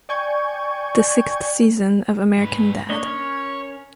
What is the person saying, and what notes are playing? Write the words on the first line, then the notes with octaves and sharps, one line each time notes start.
The sixth season of American Dad.
D5 G5 G#5 C#6 G6 G#6
G#2 B4
A#3 D4 C#5 D#5
C#4 A#4